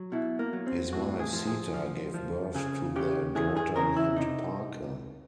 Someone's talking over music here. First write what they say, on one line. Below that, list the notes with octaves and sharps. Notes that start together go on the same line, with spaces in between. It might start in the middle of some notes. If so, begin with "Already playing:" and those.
His wife, Sita, gave birth to their daughter named Parker.
Already playing: F#3
B2 E4
A#3
F#3
C4
A2 F#4
G#4
F3
G#4
F3
F3
C#3 G#4
C#3 G4
E3 G#4
G#4
C#3 A#4
E4
C3 D#4